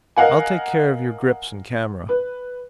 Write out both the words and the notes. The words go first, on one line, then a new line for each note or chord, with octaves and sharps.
I'll take care of your grips and camera.
A#4 D#5 F5 F#5 G#5
B4